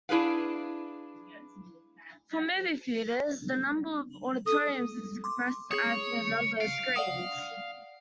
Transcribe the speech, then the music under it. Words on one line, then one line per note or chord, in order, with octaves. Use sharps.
For movie theatres, the number of auditoriums is expressed as the number of screens.
D4 E4 G#4 B4 F5
A4 D#6
C6 D6
G#4 C#5 D#6
F5 D7
D5 F#5 D#6